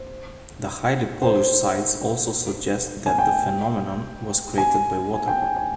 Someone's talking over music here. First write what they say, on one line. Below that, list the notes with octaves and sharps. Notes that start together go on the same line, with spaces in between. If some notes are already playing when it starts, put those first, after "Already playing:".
The highly polished sides also suggest that the phenomenon was created by water.
Already playing: C5
C5
G#5
G5
G#5
G#5
G5
G#5
G#5